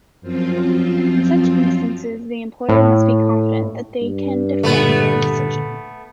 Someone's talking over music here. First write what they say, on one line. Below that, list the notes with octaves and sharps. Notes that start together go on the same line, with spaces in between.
In such instances, the employer must be confident that they can defend their decision.
F#2 F3 C4 F4
A2
G2
A#2 D3 A3 B3